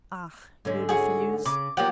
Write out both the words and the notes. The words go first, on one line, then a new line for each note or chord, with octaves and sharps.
Ah, you refuse?
G#2 D3 C#4
F#4 G#4
C#3 D6
F3 F#3 A#3 G4 D5 F#5